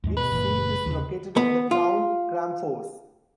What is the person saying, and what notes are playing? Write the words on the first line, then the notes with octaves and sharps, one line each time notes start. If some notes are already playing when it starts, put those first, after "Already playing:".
Its seat is located in the town Kramfors.
D#2 G#2 G#3
B2 B4
F#1 A#2 E3
D#2 C#3
B3
F4